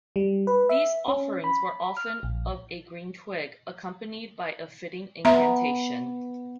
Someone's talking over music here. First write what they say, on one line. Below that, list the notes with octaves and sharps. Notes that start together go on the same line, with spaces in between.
These offerings were often of a green twig, accompanied by a fitting incantation.
G3
B4
E5
C#4
B5
F6
A#1
B3 E5 A#5